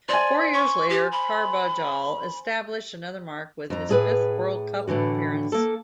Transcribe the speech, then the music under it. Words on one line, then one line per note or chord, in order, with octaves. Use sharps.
Four years later Carbajal established another mark with his fifth World Cup appearance.
C5 D5 G#5
C#6
G4
B5
F2 A#5
A2 G#4 B4
A2 D3 E3 F#4
A#3 A4